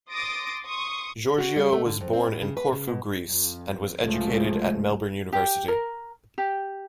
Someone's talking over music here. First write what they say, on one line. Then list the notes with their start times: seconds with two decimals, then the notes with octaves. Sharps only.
Georgiou was born in Corfu, Greece, and was educated at Melbourne University.
0.11 C6 D6 D#6 A6 A#6 D7
0.66 C6 C#6 D#6
1.38 F#4
1.56 G3
1.73 A3
1.85 D3
2.01 F2
2.13 C4
2.27 A2
2.42 C#3
2.57 B4
2.73 C#3
2.88 B2
3.27 F2
4.00 C#2 C3 F3 G#3 A3
5.33 G4
5.68 A#4
6.38 G4